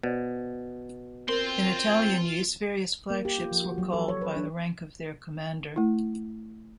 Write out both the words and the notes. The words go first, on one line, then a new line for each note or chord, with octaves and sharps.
In Italian use, various flagships were called by the rank of their commander.
B2 C5 D5
C4 F4 A#4 C6
A#3
G4
F4
F3
F#4
F#3
A4
C#5
B4
D4
A3 E4